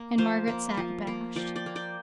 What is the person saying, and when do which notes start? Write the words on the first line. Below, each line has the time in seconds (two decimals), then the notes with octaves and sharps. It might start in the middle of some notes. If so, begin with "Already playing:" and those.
And Margaret sate abashed.
Already playing: A#3
0.18 F3 C5 F5
0.48 A#3
0.77 F3
1.07 A#3
1.36 F3 D5 G5
1.55 D5 G5
1.66 A#3
1.76 D5 G5